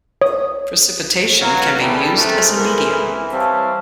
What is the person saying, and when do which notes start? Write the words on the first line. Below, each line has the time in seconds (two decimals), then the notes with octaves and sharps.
Precipitation can be used as a medium.
0.21 C#5 D#6
1.41 E3 F#3 B3 F5 F#5 A#5
1.80 D#3 G3 A#3 E4 G#4 A4 B4
2.17 C3 A3 D4 G#4 A#4 C5
2.57 E3 B3 A4 A#4
3.32 G3 C4 C#5 F5 A5